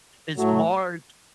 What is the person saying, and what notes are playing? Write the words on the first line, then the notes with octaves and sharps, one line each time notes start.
it's hard
A2 F#3 A3